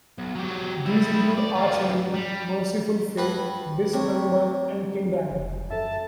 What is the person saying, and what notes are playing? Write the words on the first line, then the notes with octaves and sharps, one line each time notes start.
These include Arch Enemy, Mercyful Fate, Dismember and King Diamond.
B1
F#3 G4
G3 E4
D5
E3 F4
G3
G2 B4 F#5
C3 A3 C4 C#5
F1
F#2 A4 E5 A5